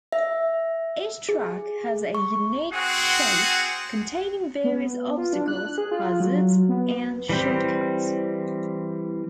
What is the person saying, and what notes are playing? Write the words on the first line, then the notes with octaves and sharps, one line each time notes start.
Each track has a unique shape, containing various obstacles, hazards, and short-cuts.
E5
G#4
C#6
C4 F#4 G#4 F#5
B3
F4
D4
F#6
G#4
F4
F#3
B3
E3 G3 C4